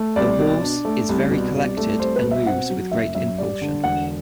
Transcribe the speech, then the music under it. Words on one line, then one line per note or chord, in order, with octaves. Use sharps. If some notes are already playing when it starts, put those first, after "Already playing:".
The horse is very collected and moves with great impulsion.
Already playing: A3
C2 D5
B2
D4
A3
C2
B2
C2
A3
C2 C5
B4
B2
E5
C4 F#5
F#3
F#1 E5
F#2 E5
G3 D5
D3
E1 F#5